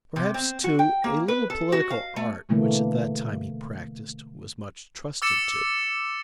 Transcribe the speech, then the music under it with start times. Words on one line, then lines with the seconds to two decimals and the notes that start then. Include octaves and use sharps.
Perhaps, too, a little political art, which at that time he practised, was much trusted to.
0.16 C3
0.34 C4
0.64 F#4
0.79 G5
1.04 A#3
1.28 B4
1.50 A4
1.72 F#4
1.90 F5
2.16 A3
2.49 B2 D3 E3 A3 A#3
5.22 D6 E6 A6 C#7 E7